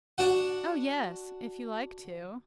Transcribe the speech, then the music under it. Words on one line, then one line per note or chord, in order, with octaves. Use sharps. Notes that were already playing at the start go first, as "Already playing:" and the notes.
"Oh yes; if you like to."
D4 F#4 F#5